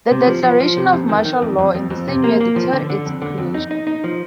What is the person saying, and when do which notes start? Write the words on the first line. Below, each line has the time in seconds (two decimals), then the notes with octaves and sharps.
The declaration of martial law in the same year deterred its creation.
0.11 C3
0.27 F3
0.43 F3
0.60 F3
0.77 C3
0.93 F2
1.09 D#3
1.25 D#3
1.42 F2
1.59 F2
1.74 F2
1.90 F2
2.08 C3
2.24 A#3
2.40 A#3
2.56 F3
2.73 D3
2.90 D3
3.06 F2
3.22 D3
3.38 F2
3.54 D#4
3.71 D#4
3.87 D#4
4.04 F3